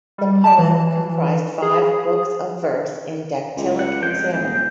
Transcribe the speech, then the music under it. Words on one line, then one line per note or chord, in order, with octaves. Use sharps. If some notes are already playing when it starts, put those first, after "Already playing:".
The poem comprised five books of verse in dactylic hexameter.
G3
A5
E3
G#4
C#2
F#5
F2 G#3 G5
D#1